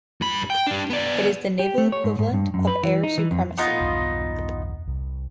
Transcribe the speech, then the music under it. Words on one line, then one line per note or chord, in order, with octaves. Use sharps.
It is the naval equivalent of air supremacy.
G2 B5
G5
G3 D4
B3 D5
G4
A3
C#5
G#2
G#2
G2
F#2
B4
E3
D#4
E3
F2
B3 D#4 F4
B1 E2 G2
C2